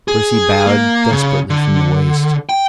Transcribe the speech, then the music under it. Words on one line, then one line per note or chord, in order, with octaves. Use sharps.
Percy bowed, desperately, from the waist.
G#4
A#3
C#3
D3
G5